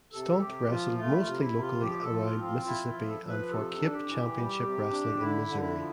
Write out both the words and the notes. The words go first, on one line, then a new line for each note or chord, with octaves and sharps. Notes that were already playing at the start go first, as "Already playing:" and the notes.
Stunt wrestled mostly locally around Mississippi and for Cape Championship Wrestling in Missouri.
C3 A4
C3 G4
F3 F4
A3 F4
E4
F4
C3
E4
C3
F4
F3 G4
A4
F3
F4
C4
F4
E4 F4
F4
F3
A4
F3 A4
B4
C3 A4
D4
G4
E3
G3
C3
D4
D3 E4
D3
E4
F3